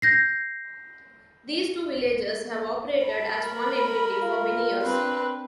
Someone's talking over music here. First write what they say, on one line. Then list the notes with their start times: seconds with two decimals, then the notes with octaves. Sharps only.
These two villages have operated as one entity for many years.
0.02 G6 A#6 C7
3.07 A5 B5
3.36 A#4
4.22 F4
4.83 C4 D4 B4